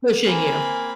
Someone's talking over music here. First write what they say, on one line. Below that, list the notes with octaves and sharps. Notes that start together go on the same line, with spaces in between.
Pushing you.
A#3 C4 G#5 B5